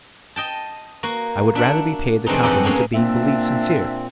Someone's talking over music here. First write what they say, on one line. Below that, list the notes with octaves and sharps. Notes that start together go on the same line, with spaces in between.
I would rather be paid the compliment of being believed sincere.
D#5 G5 A5
A#3 F#4
D4 E5 F#5
A2 E3 G#3 C4 D4 D#4
F2 D#4 G4 A4 F#5
F#3 G#3 A#3 B3 C#4
A#2 A#3 C4 D4 E5